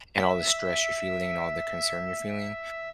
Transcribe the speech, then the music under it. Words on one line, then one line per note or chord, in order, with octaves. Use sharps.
and all the stress you're feeling and all the concern you're feeling,
E5 E6